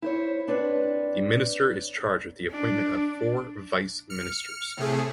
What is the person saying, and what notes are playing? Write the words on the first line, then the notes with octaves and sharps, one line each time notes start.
The minister is charged with the appointment of four vice ministers.
E4 C5 C#5
C4 D4 B4 C#5
D4
F6 C#7
A2 C3 A3 G#4